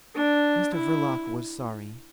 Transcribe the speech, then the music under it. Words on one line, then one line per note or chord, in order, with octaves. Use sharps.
Mr Verloc was sorry.
D4
E4